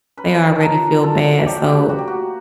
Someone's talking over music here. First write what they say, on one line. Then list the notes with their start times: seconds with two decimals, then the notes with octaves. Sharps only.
They already feel bad, so
0.17 C#4 B4
0.56 F3 A4 A#4
1.03 F#3 A4
1.46 A3 G4
1.57 F#4
1.66 G4
1.89 A#3 F#4
1.98 G4
2.08 F#4